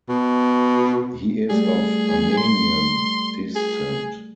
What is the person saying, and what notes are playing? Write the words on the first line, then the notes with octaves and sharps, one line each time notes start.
He is of Armenian descent.
B2
G3 A3 G#4
C6
G#4